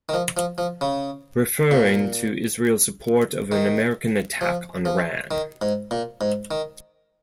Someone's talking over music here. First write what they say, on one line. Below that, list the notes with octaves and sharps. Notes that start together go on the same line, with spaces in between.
Referring to Israel's support of an American attack on Iran.
D#3
F3
F3
F3
C#3
A#2
D#3
F3
F3
D#3
G#2
A#2
G#2
D#3